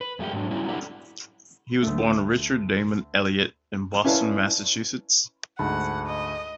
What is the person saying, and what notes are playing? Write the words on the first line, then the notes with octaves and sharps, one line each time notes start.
He was born Richard Damon Elliott in Boston, Massachusetts.
B4
F2 G#3 A3 E4 G4
G#2 F#3 D4
F#3 G3 C#4 E4
D4 E4 G4 A4 D5 F#5
D2 A3
C#4 E4 B4 D5 F5 A5
D2 G#2 F#5 A5 B5
D#5